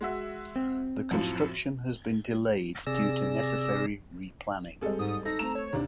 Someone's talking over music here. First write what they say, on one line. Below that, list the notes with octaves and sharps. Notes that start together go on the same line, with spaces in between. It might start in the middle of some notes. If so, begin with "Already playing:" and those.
The construction has been delayed due to necessary re-planning.
G#3 F#4 E5
C4
F#2 A2 F3
C3 G#4 D5 E6 A#6
G3 G#3 C4 G#4 A4
G#2 D#6
D#4 A4 A#6
A3 C4 A#5 E7
C#5
D#2 C3 D4 A#5